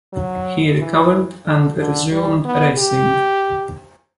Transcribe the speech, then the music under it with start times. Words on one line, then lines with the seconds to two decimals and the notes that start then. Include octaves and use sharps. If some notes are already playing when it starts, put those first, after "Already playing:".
He recovered and resumed racing.
0.13 F#3
0.80 E3
1.45 D3
1.79 D3
2.12 G3
2.45 B3
2.78 G4